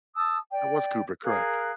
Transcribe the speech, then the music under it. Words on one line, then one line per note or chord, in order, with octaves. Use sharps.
That was Kubrick, correct.
A5 D#6 E6
D5 G5
G#4 A#4 F5 F#6